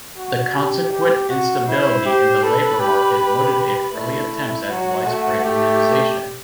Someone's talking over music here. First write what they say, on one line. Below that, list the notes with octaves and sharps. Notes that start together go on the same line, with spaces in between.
The consequent instability in the labor market motivated early attempts at widespread unionization.
F#4
G4
G4
F#4
E4 C5
G4
A4 B4
G4
G4
A3 E4
F#3 F#4
A3
A3 G4